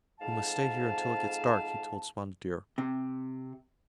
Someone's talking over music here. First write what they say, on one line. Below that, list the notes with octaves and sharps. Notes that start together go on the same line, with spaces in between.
"We must stay here until it gets dark," he told Spotted Deer.
F2 G#2 F5 A5
C3